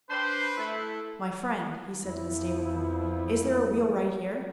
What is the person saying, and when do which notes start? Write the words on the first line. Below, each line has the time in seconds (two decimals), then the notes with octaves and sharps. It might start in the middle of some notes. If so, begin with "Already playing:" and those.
"My friend," he said to the stableman, "is there a wheelwright here?"
0.10 D4 B4 C5 C6
0.58 A3 E4
2.04 F2 F3 B3 E4